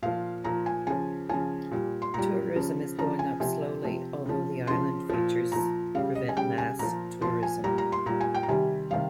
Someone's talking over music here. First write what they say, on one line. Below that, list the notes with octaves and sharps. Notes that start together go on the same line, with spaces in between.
Tourism is going up slowly, although the island features prevent mass tourism.
A#2 F3 F5
A#2 F3 A#5
G#5
C#3 F3 G#5
C#3 F3 G#5
A#2 G3
C6
A#2 G3 A#5
C#3 F3
C#3 F3 A#5
G#5
C3 F3 G#5
C3 F3
C#3 F3
C#3 F3 C6
A#2 F3
A#2 F3 A#5
C#3 G3 F5
D#5
G#5
C#3 G3 G5
G#5
A#2 F3 A#5
A#2 F3 C6
G#5
A#2 G3 A#5
A#5
C6
A#2 G3 A#5
G#5
G5
A#5
C3 D#3 G3 G#5
C3 D#3 G3 F5